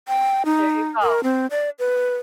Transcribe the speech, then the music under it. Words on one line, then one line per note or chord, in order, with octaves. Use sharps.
There you go.
G5
D#4
A#4
C4
D5
B4